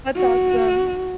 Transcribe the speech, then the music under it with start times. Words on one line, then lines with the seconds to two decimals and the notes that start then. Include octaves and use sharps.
That's awesome.
0.17 F#4